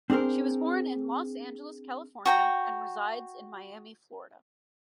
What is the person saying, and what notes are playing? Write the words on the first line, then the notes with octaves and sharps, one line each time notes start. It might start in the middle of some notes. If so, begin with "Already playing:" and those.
She was born in Los Angeles, California, and resides in Miami, Florida.
C4 D4 G#4 A#4 C5
F#4 G5 A#5